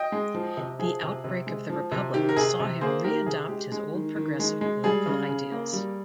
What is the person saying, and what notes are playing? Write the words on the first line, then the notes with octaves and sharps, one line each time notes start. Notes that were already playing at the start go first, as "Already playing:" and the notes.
The outbreak of the Republic saw him re-adopt his old progressive political ideals.
Already playing: D#5 G5
G#3
F3
C3
F3 G#4
C3
C3
G#3
F3
C3
D#3 G4
A#4
C3 G#4
C3
A#3 G#4 C5
D#3 G4 A#4
C3 G#4
G#3 G4
G#3
D#3
D#3
G#3
G#3
G3 G#4
C#3
C#3
A#3
G3